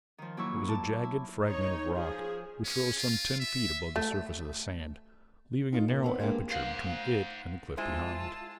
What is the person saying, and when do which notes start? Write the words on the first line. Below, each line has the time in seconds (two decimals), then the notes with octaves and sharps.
It was a jagged fragment of rock which rose some ten feet above the surface of the sand, leaving a narrow aperture between it and the cliff behind.
0.18 D#3 F3
0.37 A#2 F#3 A#3 E4 E5 C#6
0.68 A5 D6
1.03 E4
1.45 D#4 C#5
1.93 F3 G#4
2.65 C#4
2.98 F4
3.40 E5
3.96 A3
5.73 D#4 F4
5.88 A#2
6.03 B3 C4 G#4 B4
6.20 G#3 A#3 D4 G4
6.51 C5 F5 F#5
6.78 F5
7.77 G#3 E4 F4 C5 A5